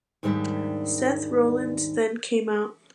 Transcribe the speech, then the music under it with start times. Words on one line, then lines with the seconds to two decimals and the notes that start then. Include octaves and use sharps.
Seth Rollins then came out.
0.23 D#2 G#2 D#3 G3 D4 E5